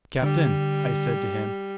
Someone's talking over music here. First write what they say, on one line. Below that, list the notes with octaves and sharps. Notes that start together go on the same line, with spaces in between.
"Captain!" I said to him.
D3 G3